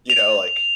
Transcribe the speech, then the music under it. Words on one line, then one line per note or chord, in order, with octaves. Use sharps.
you know, like,
F7